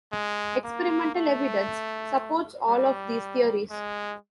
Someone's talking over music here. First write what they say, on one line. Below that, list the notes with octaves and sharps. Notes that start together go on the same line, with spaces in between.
Experimental evidence supports all of these theories.
G#3
A#3
A3
G3
G#3